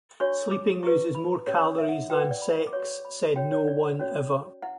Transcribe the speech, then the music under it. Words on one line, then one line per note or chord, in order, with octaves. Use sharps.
Sleeping uses more calories than sex, said no one ever.
D4 F#4 C#5 C#6
D6
E4 G4 B4 C#6
B5
C#4 G4 C#5
E5
F#5
F#4 B4 G5
F#5
D5
B5
D6
F#4 C#5 C#6
B5
F#4 C#5 G5
C#5
D5
C#4 F#4 C#5
E4 F#5